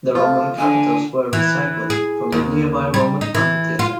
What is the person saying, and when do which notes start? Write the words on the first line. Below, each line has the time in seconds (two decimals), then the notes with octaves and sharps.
The Roman capitals were recycled from the nearby Roman amphitheatre.
0.15 F3 A3 F4
0.58 D3 D#5 G#5
1.33 E3
1.90 G#4
2.32 D#2
2.94 G3
3.21 D#4
3.35 E3
3.79 F4